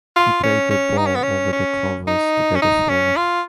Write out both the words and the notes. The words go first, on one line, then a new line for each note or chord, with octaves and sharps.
He played the bowl over the covers to get a four.
F4
C#4
C#4
D#4
C#4
B3
C#4
C#4
D#4
C#4
D#4
C#4
F4